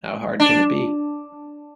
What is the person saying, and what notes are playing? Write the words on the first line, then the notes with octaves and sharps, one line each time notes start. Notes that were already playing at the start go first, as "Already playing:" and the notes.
How hard can it be?
D4